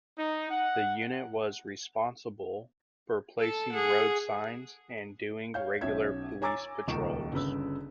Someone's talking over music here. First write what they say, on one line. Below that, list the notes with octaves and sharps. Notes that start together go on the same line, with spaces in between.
The unit was responsible for placing road signs and doing regular police patrols.
D#4
F#5
A4 A5
G#4 F#5
C#5 F5 G6
B1 C#4 C#5 E5 G#6
C#5 G#5 A#5 D6 E6 A6
D#1 C#2 D#3 C#6 D7 E7
G1 C#3 B4 E6